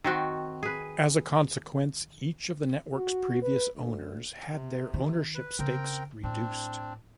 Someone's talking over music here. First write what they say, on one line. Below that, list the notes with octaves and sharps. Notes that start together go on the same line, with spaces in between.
As a consequence, each of the network's previous owners had their ownership stakes reduced.
D#3 C4 F#4
G#4 B4
F#4
B4
D2
C3
D#3
B4
C#3 C4 A#4 G5
A2 C4 D4